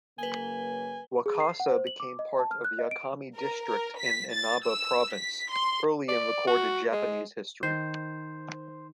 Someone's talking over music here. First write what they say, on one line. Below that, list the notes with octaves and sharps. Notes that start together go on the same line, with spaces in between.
Wakasa became part of Yakami District in Inaba Province early in recorded Japanese history.
C#3 F#3 A#3 B4 G#5 G7
G#4
C7
F#5
C5
F#7
D6
D#5
A5
F6
F#6
D#5
D7
A#4
A#4
B6
A6
E6
B6
C6
D5
F#4
G#3
D#3 C5